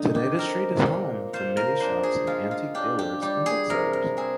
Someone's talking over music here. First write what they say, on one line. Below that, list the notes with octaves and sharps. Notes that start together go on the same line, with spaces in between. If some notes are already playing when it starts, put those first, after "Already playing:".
Today the street is home to many shops and antique dealers and booksellers.
Already playing: D3 D#4
G4
C4 A#4
A#2
F4 C5
A#4
D4 C5
G#4
G#3 F4
F4
D4 G4
G4
G3 G4
G#4
C3 A#4
A#4
C4 G#4